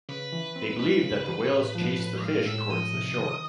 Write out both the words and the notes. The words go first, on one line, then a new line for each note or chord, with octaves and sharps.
They believed that the whales chased the fish towards the shore.
C#3 B4
E3
C4
G#3 B4
C#3
E3
A2
F3
A2
G#3 F5
A2 E5
F3 D#5
C3
D#3